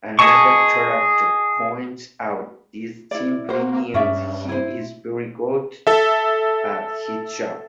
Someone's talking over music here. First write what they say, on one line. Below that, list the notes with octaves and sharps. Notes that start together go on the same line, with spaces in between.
Another character points out this simply means he is very good at his job.
G#4 D#5 A5 C#6
E4 D5
A#3 F#4 C5
G2 C#4 D5 E5
E4 C5
A4 E5